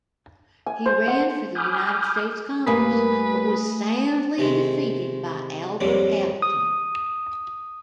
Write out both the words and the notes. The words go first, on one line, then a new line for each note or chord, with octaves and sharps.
He ran for the United States Congress, but was soundly defeated by Albert Gallatin.
G#5
C5
F#5
G#5 B5 D6 D#6 F6 G6
G2 A3 A#3 B4 G#5 D#6
C3 D#3 G#3
F2 G#2 F#3 G3 A#3
D#6